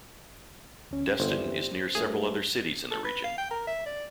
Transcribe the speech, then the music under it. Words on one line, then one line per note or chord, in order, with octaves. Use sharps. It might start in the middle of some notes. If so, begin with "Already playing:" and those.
Destin is near several other cities in the region.
D2 C#4
G1 G2 E3 G3 C5
G2 A3 G#4
A4
B4
F5
G5
A#4
E5
D5